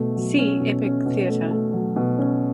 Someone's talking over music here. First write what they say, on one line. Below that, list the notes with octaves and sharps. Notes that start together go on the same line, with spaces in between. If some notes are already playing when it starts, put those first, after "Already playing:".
See epic theater.
Already playing: B2 A3
F#3
C#4
B2
C#4
B2
A3
A3
F#3
B2
C#4